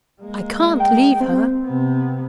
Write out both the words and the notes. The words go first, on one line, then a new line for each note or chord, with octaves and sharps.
'I can't leave her.
G#3 A#3
G5
C4
C3 B3